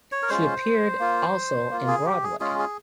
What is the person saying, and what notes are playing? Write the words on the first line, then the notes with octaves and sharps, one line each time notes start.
She appeared also in Broadway.
C#5
A#4
G#3 C#4 F4 C5
A#3 F4
A#3 F4
G#4
G4
G#4
G#3 C#4 F4 G#4
G#4